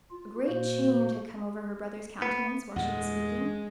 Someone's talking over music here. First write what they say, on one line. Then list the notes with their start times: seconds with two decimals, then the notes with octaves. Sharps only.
A great change had come over her brother's countenance while she was speaking.
0.11 F4
0.48 A#2 A#3 F#4 C5
2.22 B3
2.76 E2 G2 A#2 G#3 F#5